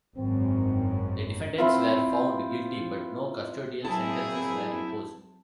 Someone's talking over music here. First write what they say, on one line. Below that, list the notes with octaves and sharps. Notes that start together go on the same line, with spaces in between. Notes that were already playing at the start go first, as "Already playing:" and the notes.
The defendants were found guilty, but no custodial sentences were imposed.
G#1 F#2 C4
C4 E4 F4
F#3 A#3 C4 E4 G#4 A5